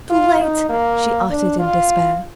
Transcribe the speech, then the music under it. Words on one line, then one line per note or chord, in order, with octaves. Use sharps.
"Too late," she uttered in despair.
F4
D#4
A#3
D4
F4